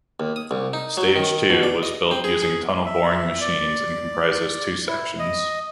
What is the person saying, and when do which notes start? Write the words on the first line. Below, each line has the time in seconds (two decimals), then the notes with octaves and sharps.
Stage Two was built using tunnel boring machines and comprises two sections.
0.20 D#2
0.36 D#6
0.51 C2
0.73 D#4
0.97 F#3
1.16 D#3
1.50 B2
1.63 D5
1.83 D#5
2.11 C4
2.24 G#4
2.42 G#4
2.85 E5
3.41 D5
4.88 E4
5.19 D#5